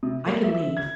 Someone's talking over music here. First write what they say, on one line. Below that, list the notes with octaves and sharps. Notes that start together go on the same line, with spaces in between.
"I can leave."
C3
A#3
E5
G#6